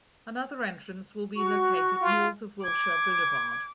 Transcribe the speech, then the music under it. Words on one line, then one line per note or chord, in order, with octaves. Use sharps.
Another entrance will be located north of Wilshire Blvd.
F#4 C#6
F4
D6 G#6